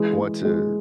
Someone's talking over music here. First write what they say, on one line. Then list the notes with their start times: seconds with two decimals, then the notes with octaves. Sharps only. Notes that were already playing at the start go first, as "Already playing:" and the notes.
want to
Already playing: E3 G#3
0.18 G#3
0.45 G#3